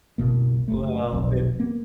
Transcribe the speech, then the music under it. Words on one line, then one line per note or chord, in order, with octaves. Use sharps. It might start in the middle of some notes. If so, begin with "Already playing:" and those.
Well, it
F#1 C2 B2 A#3
F#1 A3
D#1 B1 F2
A#3 B3